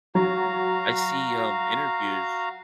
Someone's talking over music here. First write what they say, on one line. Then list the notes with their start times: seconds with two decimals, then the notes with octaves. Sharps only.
I see, um, interviews
0.15 F#3 F#4 F5 A#5